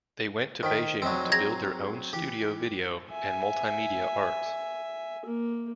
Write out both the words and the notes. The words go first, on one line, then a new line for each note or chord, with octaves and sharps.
They went to Beijing to build their own Studio Video and Multimedia Arts.
D#3 C5 G5 B6
F1 F#3 C4 D#5
G#4 A#5 G#6 A#6
E3 G4
E5 G#5
A#3